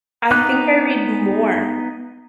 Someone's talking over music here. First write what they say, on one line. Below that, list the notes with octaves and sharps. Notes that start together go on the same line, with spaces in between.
I think I read more.
B3 D#4 D6 F#6